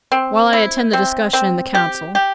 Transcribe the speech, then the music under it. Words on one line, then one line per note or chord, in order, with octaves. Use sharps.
While I attend the discussion in the Council....
C4
E4
C4
C4
G4
G4